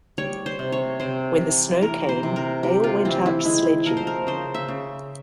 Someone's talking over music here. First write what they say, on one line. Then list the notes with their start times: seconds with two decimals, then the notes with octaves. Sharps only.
When the snow came, they all went out sledging.
0.18 G3 C#5
0.46 C5
0.59 C3
0.72 C#5
1.00 C3 C5
1.41 E3
1.82 E3 A#4
2.09 C5
2.23 C3
2.36 A#4
2.63 C3 G4
2.84 F4
3.05 E3 C4
3.26 E4
3.45 G#3 E4
3.86 F3 A#4
3.97 C5
4.07 A#4
4.27 C#3 C5
4.54 E5
4.68 C#3